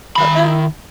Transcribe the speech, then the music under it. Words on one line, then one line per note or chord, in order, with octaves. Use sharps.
Oh, no.
D#3 B5